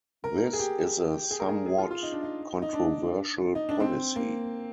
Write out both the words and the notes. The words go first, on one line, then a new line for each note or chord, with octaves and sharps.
This is a somewhat controversial policy.
A#4
G#4
G4
G#4
A#4
G#4
G#4
F4
F4
D#4
D4
D#4
D#4
D4
D#4
D4
C4
A#3